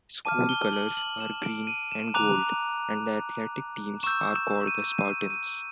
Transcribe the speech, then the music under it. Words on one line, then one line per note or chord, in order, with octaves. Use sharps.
School colors are green and gold, and the athletic teams are called the Spartans.
A5 D6 F6 D#7
G7
F#7
F#7
E7
D7
D#7
E7
A#5 D6 F#6 F7
C#6 E6 G6 E7
E7
D#7
D#7
D#7